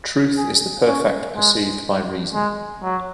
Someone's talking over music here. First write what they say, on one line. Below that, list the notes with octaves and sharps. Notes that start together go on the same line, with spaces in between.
Truth is the perfect perceived by reason.
G#4
C#4
G#3
G#3
F#3